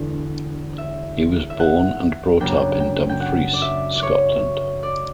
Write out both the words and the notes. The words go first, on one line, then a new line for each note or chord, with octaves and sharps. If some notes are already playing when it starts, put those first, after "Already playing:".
He was born and brought up in Dumfries, Scotland.
Already playing: E1 E2 D3 D4
E5
E5
F#5
F#2 C#3 F#3 A#3 D4 G5
G5
G5
F#5
D5
E5
D5
C#5
D5